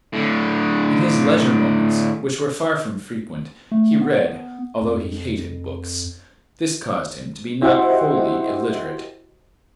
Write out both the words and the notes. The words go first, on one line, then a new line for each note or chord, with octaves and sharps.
In his leisure moments, which were far from frequent, he read, although he hated books; this caused him to be not wholly illiterate.
A2 D3
A3
B3
F2
E4 F#4 G4 C5 D#5 F#5